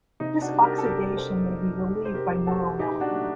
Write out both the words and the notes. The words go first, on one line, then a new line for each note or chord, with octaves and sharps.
This oxidation may be relieved by neuromelanin.
C3 D#4
D4 F#4
G3
G4 A#4
A4
C3 G4 A#4
G3 A4 C5
C3
G3
C5
C3 G4 A#4
G3 F#4 A4
A#2 D#4 G4
D4 F#4
F#3 A3